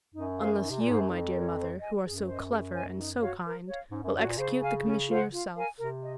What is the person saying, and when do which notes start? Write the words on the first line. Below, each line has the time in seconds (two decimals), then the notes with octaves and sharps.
"Unless you, my dear mother, who are so clever and so kind, will execute the commission yourself."
0.14 F#2 D#4
0.39 G#4 C5 F5
0.63 D#4
0.70 C3
0.80 A#2
0.85 G#2 G#4 C5
1.00 F#2
1.09 F2 D#4
1.33 A#4 C#5
1.57 C5
1.79 D#5 G#5
2.03 F#2 G#4
2.27 C5 D#5
2.50 G#4
2.74 C#5 G#5
2.97 D#4
3.20 F#4 C#5 F5
3.45 A#4
3.67 C#5 F5
3.91 G#2 C#4
4.03 F#2
4.15 F#2 F#4 C#5
4.26 A#2
4.37 C#3 C5
4.62 F5 G#5
4.85 C#4
5.09 F4 C5 F#5
5.32 F4
5.56 A#4 F5 G#5
5.78 C3 A#4
6.03 D#5